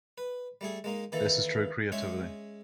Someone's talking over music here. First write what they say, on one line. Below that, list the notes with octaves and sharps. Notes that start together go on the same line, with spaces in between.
This is true creativity.
B4
G3 A3 G#4
G#3 A#3 D#4
D#3 E3 A#3 A4
G#3 C#4 G#4 E5